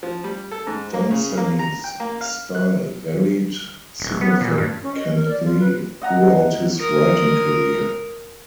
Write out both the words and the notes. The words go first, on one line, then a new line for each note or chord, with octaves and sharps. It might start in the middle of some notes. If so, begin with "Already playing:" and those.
Dunsany's style varied significantly throughout his writing career.
F3
G3
A4
G#2
A#3
C#3
A#3
A#5
G5
A#3
F5
F#6
D#1
B3
A#2
G2
C#4
D#5
A#4
D5
F4
B4
D#5 F#5 A#5
A#4 D#6